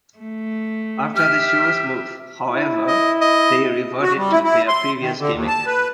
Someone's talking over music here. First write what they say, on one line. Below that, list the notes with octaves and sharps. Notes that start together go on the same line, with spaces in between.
After the show's move, however, they reverted to their previous gimmick.
A3
G4 E5 F6
E4
D#5
D#5
F#4
G3
E4
E4
C6
D#3
D3
D#2
A5
B4